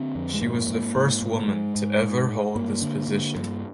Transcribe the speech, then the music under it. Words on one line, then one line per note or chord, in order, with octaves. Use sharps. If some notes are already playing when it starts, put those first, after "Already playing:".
She was the first woman to ever hold this position.
Already playing: D3 C4
F2
G#3
G#2 A#3
G#2
G#2
G#2
G#2 G#3
G#2
G#2
G#2
G2 A#3
D3
D3
G2